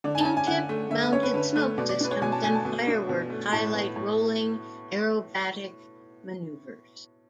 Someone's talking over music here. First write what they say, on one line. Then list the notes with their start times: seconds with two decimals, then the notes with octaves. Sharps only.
Wingtip mounted smoke systems and fireworks highlight rolling aerobatic maneuvers.
0.04 D3 D5
0.15 G#5
0.21 A5
0.25 C#4 G#5
0.37 G#5
0.47 D3 F#5
0.69 A3
0.90 D3 E5
1.02 B4
1.12 C#4 C#5
1.23 B4
1.34 D3 B4
1.56 A3
1.78 B2 D5
1.89 D5
2.00 D4 B4
2.11 C#5
2.22 B2 G#5
2.32 A5
2.44 A3 G#5
2.55 A5
2.65 B2
2.87 D4
3.09 B2
3.30 A3
3.53 A2 A5
3.74 B3
3.96 A2